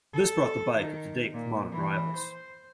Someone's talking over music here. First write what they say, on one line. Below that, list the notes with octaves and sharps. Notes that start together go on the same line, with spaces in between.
This brought the bike up to date with modern rivals.
A4
D#3
A#2
E3
C5